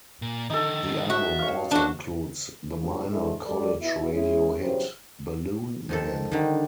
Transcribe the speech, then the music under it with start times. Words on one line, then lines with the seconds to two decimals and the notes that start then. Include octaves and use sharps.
The album also includes the minor college radio hit "Balloon Man".
0.22 A#2
0.50 D3 D#3 D#4 A4
1.10 F#4 E5
1.39 C#5 F5
1.71 D4 F#4 B4 C5
2.79 G#2 C#3 G3 A#3 D4 F4
3.10 C3 G#3 D4 E4 A4
3.45 F#3 G#3 G4 A4 D5
3.80 B2 E4
4.12 G#3 C#4 E4 G#4
4.60 E2 G2 C#3 F#3 G4 C5
5.89 F2 D#3 A4
6.32 D3 D#3 G3